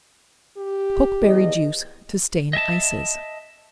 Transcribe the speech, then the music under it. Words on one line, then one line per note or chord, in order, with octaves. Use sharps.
Pokeberry Juice to Stain Ices.
G4
E2 D#5
D#5 E5 G#5 A5